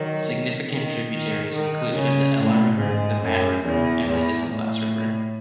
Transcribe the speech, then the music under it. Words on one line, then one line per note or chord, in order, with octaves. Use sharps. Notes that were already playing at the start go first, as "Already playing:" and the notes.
Significant tributaries include the Ela River, the Mad River, and the Isinglass River.
Already playing: D#3 F#3
D#3
D#3
D#3
C#3
A2
G#2
F#2
E2
E2
A2